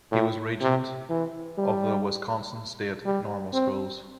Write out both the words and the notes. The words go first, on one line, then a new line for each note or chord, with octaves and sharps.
He was regent of the Wisconsin state normal schools.
A2
C3
E3
G3
G3
C4